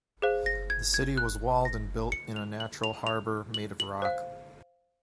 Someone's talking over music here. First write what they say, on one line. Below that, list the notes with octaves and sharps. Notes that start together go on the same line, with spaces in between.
The city was walled and built in a natural harbour made of rock.
G#4 C5 F5
A#6
G#6
G#6
F#6
A#6
C#7
F7
F#7
F7
F7
F#7
F#7
C5 F5